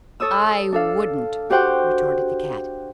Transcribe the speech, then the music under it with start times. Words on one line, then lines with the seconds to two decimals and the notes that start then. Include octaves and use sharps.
"I wouldn't!" retorted the cat.
0.20 A4 C#5 D#6 E6
0.73 D4 A4 F5
1.50 F#4 G4 C5 F#5 G5